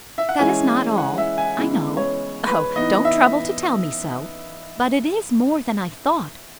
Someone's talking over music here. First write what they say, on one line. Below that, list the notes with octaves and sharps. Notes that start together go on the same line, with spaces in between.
That is not all, I know--oh! don't trouble to tell me so!--but it is more than I thought.
E5
F#5
E3 G#3 C#4 E4 G#5
F#5
E5
G#5
C#3 E3 G#3 B3
C#5
B4
E3 B3 D#4 D#5
E5